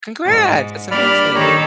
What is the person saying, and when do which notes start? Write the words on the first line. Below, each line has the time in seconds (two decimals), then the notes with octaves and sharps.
Congrats! That's amazing.
0.24 G#2
0.91 G3 A#3 D4 D5 B5 F6
1.35 D#3 G4 A4 C#5 A#5